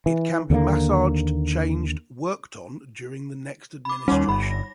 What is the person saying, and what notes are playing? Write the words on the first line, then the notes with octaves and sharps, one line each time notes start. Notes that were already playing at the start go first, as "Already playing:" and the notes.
It can be massaged, changed, worked on during the next administration.
E3
D#2 D3 F3 A#3
B5 D6
D#2 G3 C#4 D#4 C#5
G1 B5
A#6